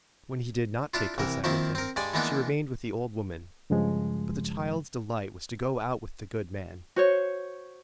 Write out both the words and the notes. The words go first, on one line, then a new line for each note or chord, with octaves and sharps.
When he did not take Cosette with him, she remained with the old woman; but the child's delight was to go out with the good man.
D4 E4 F4
C2 E3 A#4
D#3 F3 A#3 C4 E4
C4 A#4
G2 G#3 D5 G#5
E3 G#3 A#3 B3 D4 D#4
G2 C#3 F3 G#3
F#4 C5 C#5